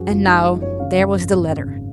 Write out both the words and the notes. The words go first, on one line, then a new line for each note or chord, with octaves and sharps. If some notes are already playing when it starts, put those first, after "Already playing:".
And now--there was the letter!
Already playing: F#2 F3 F#4 G#4
F#1 F4
G#3 D#4
F3 F4
F#2 C#5
C#3 F5
F#2
G#1
G#1
C#3